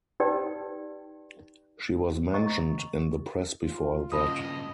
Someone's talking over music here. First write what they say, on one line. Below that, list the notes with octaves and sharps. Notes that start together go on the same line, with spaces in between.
She was mentioned in the press before that.
D#4 G4 B4 D5 G5 A5
D#5 A#5 C#6
F4
G2 C#3 D#5 A5 B5 D#6